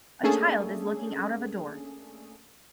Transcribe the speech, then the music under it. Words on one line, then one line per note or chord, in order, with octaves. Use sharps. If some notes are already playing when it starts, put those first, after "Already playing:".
A child is looking out of a door.
A3 A#3 C#4 D4 G#4 A4